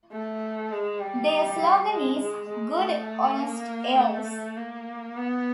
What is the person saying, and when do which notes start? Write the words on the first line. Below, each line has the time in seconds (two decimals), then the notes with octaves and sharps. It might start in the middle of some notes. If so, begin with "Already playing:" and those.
Their slogan is "Good Honest Ales".
0.12 A3
0.72 G#3
1.00 G3
1.90 G#3
2.19 G#3
2.49 G#3
2.78 A3
3.39 A#3
3.97 A3
4.57 A#3
5.17 B3